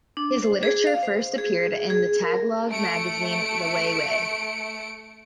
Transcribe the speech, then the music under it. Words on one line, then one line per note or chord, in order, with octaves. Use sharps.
His literature first appeared in the Tagalog magazine, "Liwayway".
D4
C5
G#4
F5
C5
G#4
G#4
A#4
A3 C#7 D7